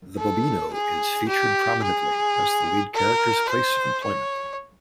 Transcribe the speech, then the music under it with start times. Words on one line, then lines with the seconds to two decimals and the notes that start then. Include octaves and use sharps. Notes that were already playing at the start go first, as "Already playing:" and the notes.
The Bobino is featured prominently as the lead character's place of employment.
0.18 A4
0.74 G#4
1.28 G4
1.83 G#4
2.94 A#4
3.50 C5
4.04 C#5